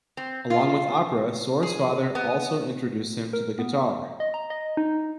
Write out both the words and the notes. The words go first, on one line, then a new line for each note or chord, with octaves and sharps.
Along with opera, Sor's father also introduced him to the guitar.
C4
F4
G#4
B3
A#4
B3
D#5
A#5
D#5
D#4